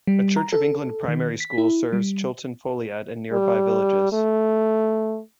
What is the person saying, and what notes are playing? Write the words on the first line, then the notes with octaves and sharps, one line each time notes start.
A Church of England primary school serves Chilton Foliat and nearby villages.
G3
A#5
A4
D#3
B6
E4
G3
G3
A3